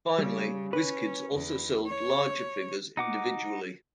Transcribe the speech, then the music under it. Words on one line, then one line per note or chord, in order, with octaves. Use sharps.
Finally, Wiz Kids also sold larger figures individually.
C#3 G3
C#4 B4
E2
C#5
D#4 F#5 D6